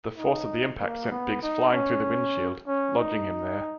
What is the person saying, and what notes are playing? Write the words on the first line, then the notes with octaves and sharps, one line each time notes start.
The force of the impact sent Biggs flying through the windshield, lodging him there.
D#4
A#3
B3
D#4
C#4
C#4
D#4